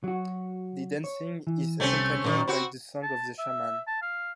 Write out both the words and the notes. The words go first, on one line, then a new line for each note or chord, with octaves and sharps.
The dancing is accompanied by the song of the shaman.
F#3 F#4
C#5
E3
C2 A3 C4 C#4
F#2 A#2 D#3
C4 F#4 B5
A5
E5
A5
F5